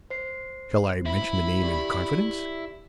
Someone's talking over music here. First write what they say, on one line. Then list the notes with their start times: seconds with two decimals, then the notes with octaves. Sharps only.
Shall I mention the name in confidence?
0.10 C5 C7
1.06 E4 B5
1.62 G4 D5